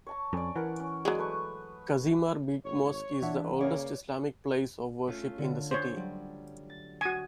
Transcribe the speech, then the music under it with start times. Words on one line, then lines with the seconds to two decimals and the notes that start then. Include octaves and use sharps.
Kazimar Big Mosque is the oldest Islamic place of worship in the city.
0.07 C#5 A5 A#5
0.33 F2 C#4 D5
0.56 E3 A#4 F#5
0.80 C#4
1.05 F#3 G#3 D5 D#6
1.18 A3 B4 C#6
2.64 G#1 C#5
3.22 E3 D4 E5 F#5
3.60 C#3 A#3 B4 C#5 D5
5.07 A3 C#4 F4
5.38 D3
5.71 C5 C#5
5.96 F#3 G3
6.70 A6
7.01 F#4 G#5 D#6